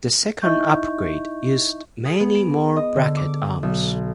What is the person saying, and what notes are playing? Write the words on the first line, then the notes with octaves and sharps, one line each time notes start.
The second upgrade used many more bracket arms.
D#4 E4 D#5 E5 C#6 G6
G#4
B3
D7
D#5
D3
D6
B1